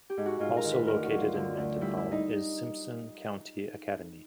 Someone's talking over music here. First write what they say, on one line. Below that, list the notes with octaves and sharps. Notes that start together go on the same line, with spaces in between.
Also located in Mendenhall is Simpson County Academy.
G4
G#2
F#4
G#2 F4
A#4
D#3
B4
D2 A#4
F#4
F#3
F4
D3
D2
G3 E4
E4
D#4